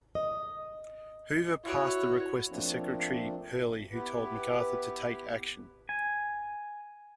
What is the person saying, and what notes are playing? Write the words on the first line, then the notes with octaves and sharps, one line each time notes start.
Hoover passed the request to Secretary Hurley who told MacArthur to take action.
D#5
E4 F#4 C#5
F3 A3 A#3 C4 D4
B3 E4 G4 B4
G#5